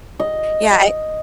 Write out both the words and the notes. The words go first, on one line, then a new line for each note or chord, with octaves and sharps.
yeah I
D#5